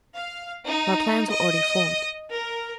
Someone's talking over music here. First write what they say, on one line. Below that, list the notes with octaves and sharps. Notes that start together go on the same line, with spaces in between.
My plans were already formed.
F5
D#4
D#5
A#4